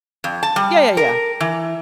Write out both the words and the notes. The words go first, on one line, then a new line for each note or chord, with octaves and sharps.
Yeah, yeah, yeah.
F2
A5
G3
A#4
E3